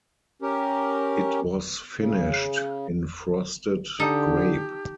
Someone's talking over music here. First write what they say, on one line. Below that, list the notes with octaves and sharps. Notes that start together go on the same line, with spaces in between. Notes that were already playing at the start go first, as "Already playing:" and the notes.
It was finished in frosted grape.
C#4 G4 A#4
C#3
D3 D#4 G4 A4